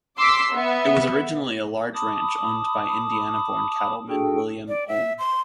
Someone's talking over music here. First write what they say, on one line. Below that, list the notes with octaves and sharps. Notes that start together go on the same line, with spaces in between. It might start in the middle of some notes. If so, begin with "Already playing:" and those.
It was originally a large ranch owned by Indiana-born cattleman William Ulm.
C6 D6 E6 B6 C7
B3 E5
A5 B5 D6 D#6
D4 F#4 G#4 A4 G5
D5
E5
C6